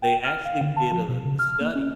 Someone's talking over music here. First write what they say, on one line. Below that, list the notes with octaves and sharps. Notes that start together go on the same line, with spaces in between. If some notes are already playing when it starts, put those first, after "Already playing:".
They actually did a l a study
G5
F6
F5
D3
A5
F3
B2
C#3
F6
A#3
C#4